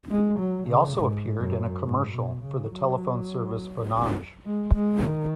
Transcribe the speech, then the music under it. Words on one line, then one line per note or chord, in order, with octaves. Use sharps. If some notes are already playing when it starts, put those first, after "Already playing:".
He also appeared in a commercial for the telephone service Vonage.
G#3
F#3
C#3
G#2
F#2
G#2
B2
C#3
F#3
G#3
G#3
D#3